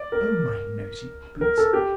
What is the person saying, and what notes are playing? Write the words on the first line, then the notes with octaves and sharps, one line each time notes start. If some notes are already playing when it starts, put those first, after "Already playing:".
O my noisy boots!
Already playing: D5
A#4
A#4
A4
G4